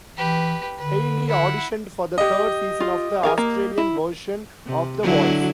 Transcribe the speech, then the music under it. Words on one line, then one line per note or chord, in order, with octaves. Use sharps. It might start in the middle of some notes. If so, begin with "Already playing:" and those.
Hayley auditioned for the third season of the Australian version of "The Voice".
E3 G4 B4
D3 B4
E4 F#5
G4 D#5
F4
G#4 A#4 F5
A#3
E4
C3
D3 F#3 E4